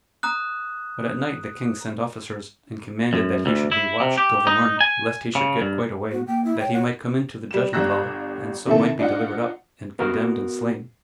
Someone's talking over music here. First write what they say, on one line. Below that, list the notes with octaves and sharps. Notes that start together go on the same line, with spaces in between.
But at night the king sent officers, and commanded that he should be watched till the morning, lest he should get quite away, that he might come into the judgment-hall, and so might be delivered up, and condemned and slain.
A#5 D#6 F#6
F#2
D2
E4
C3
G4
D#4
G#5
C#3
G2
B3 F#4
A#3 G5
E4
C#5 G5
F#5
G3 E7
G1 G3 A#5 E6 F#6 A#6
C3 D#3 A3 E4 A4
D4 D#4 F4 F#5
B3 F#4 A#4 F#5